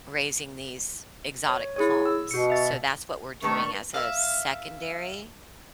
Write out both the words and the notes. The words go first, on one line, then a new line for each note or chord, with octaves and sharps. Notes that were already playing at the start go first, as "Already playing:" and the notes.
raising these exotic palms, so that's what we're doing as a secondary.
C#5
E4 G#4 C#5
E6
B2 F#4 C#7
E5 A6
D#3 A3 B3 D4 A5 C#6
E5 F5